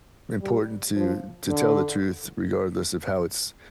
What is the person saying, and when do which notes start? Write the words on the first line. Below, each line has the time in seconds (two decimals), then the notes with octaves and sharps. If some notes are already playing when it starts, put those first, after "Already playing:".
important to to tell the truth regardless of how it's
0.42 G3
0.96 F3
1.49 D3